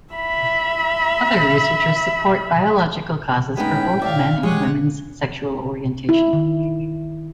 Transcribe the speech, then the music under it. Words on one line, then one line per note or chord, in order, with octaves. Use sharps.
Other researchers support biological causes for both men and women's sexual orientation.
E5 B5
A2 G#3 B3 C#4 D#4 G5 B5
D5 E5 F5
G#3 G4 C#5 F#5 G#5
E4
D#3